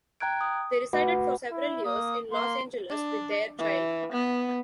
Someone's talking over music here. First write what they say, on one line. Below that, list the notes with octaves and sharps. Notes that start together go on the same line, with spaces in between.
They resided for several years in Los Angeles with their child.
G5 A#5 F#6 G#6 D7
D#6
A3 F#4 B4 F#5 B5 D6
E4
A#3 D#6
A#3 C6
D4
E3
B3